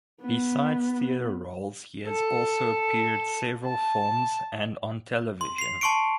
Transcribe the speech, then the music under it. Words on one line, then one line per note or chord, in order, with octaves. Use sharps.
Besides theatre roles he has also appeared several films and on television.
B3
A4
A5
C6
C7 F7
A5 C6 C#6 C#7 D7